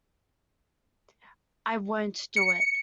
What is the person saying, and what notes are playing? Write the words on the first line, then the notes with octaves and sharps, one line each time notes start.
I won't do it.
C#7